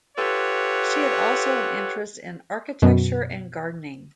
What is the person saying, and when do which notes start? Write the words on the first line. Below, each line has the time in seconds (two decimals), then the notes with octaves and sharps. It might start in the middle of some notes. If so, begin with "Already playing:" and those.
She had also an interest in architecture and gardening.
0.18 F4 G4 A4 B4 C#5 F#5
2.82 F#2 B2